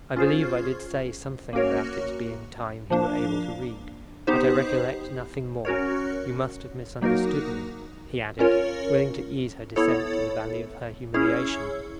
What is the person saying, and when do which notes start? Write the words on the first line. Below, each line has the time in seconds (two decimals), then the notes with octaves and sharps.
"I believe I did say something about its being time he were able to read, but I recollect nothing more.--You must have misunderstood me," he added, willing to ease her descent to the valley of her humiliation.
0.16 C#4 F4 G#4 C5
1.53 A#3 C#4 F#4 A#4 C#5
2.90 F3 A#3 D4
4.27 B3 D#4 G4 C5
5.65 C#4 F#4 A#4 C#5
7.01 F#3 A#3 D#4 F#4 A#4
8.39 C#4 F4 A#4 C#5
9.76 B3 E4 A4 C#5
11.14 C#4 E4 G#4 C#5